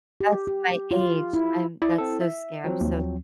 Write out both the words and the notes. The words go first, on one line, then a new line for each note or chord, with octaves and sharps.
That's my age, I'm that's so scary, I'm so
G4
G4
F4
E4
E4 D5
C4 A4
E5
F3 F#3 C4
D#2